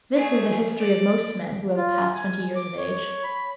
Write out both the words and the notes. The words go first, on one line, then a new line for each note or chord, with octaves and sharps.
This is the history of most men who have passed twenty years of age.
A3 G#4
D5
F4
G#5
D6
C#5
B5